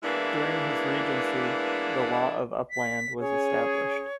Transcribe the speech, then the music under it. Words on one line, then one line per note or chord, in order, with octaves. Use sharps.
During his regency, the law of Uppland was established.
E3 G#3 A#3 B3 D4 E4
B6
C#4 G#4 C#5